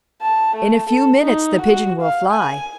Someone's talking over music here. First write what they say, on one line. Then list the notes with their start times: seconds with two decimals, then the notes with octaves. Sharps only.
In a few minutes the pigeon will fly.
0.22 A5
0.56 A3
0.90 A4
1.22 D#4
1.61 F#4
2.02 F5
2.31 G#5